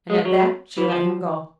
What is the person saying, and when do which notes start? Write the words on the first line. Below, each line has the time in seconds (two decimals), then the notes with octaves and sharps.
And at that she let him go.
0.10 G#3
0.25 F#3
0.78 E3
0.89 F3